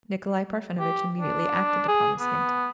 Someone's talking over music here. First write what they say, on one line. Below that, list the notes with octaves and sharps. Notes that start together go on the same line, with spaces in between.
Nikolay Parfenovitch immediately acted upon this hint.
G4
D4
G#4
B3